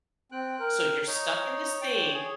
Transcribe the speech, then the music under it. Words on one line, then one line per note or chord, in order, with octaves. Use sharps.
So you're stuck in this thing
C4 G5 F#6
A#4
D#4 C#5
D5 G5 D6
G#4